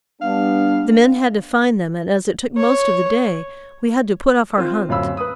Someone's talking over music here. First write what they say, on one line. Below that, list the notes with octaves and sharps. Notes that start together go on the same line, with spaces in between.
The men had to find them, and as it took most of the day, we had to put off our hunt.
G3 B3 D4 F5
C#5
C4 F4
D1 F#2 F5 B5 E6
B4 D#6